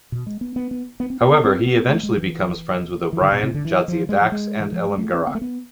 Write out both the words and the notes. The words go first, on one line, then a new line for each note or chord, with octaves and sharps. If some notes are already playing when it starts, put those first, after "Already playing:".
However, he eventually becomes friends with O'Brien, Jadzia Dax, and Elim Garak.
B2
G#3
B3
B3
B3
B3
C4
B3
C4
B3
A3
G#3
E3
E3
D3
B2
C3
D3
E3
F3
G#3
F3
G#3
E3
F3
G#3
A3
C4
B3
A3
B3